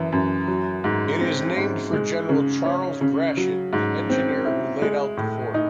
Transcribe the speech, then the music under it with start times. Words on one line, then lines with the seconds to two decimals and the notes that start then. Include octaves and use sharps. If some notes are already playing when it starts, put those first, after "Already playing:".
It is named for General Charles Gratiot, the engineer who laid out the fort.
Already playing: F#2 E3
0.12 F#2
0.48 F#3
0.84 G#2
1.21 C4
1.57 G#2
1.93 G#3
2.29 C#3
2.65 C#4
3.01 C#3
3.37 F#3
3.73 G#2
4.09 C4
4.45 E4
4.82 G#3
5.17 A2
5.54 D#4